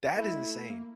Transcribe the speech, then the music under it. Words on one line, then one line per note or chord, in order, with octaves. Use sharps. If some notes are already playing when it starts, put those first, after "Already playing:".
That is insane.
A3 E4
G#3
A3
A#3